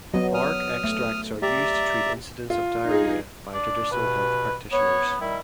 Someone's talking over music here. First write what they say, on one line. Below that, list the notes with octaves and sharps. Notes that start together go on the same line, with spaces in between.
Bark extracts are used to treat incidents of diarrhea by traditional health practitioners.
F#3 B3 D#5
D#6 F6
A3
G4 D5 E5 A#5
F4
D#4 G#4
D4
G2 B2 B4
B3 C#5
D#3 G3 E4